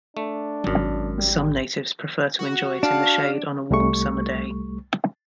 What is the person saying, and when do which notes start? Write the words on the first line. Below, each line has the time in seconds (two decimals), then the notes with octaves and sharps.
Some natives prefer to enjoy it in the shade on a warm summer day.
0.17 A3 D4
0.67 G#1 F#2
1.18 G3
2.39 F#4
2.83 D4 F5 A5
3.71 C2 G3 A3 C#6